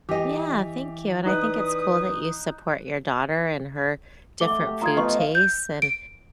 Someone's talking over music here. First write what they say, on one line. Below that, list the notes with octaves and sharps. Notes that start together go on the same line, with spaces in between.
Yeah, thank you, and I think it's cool that you support your daughter and her different food tastes, and
E3 G4 D#5
D#4 B4 D5 D#6 F#6
A3 E5 F#5 D6 G7
G4
F4 F5 A#5 D#6 G#6
F3 B3 D#4 D#5 C#6
G6
D7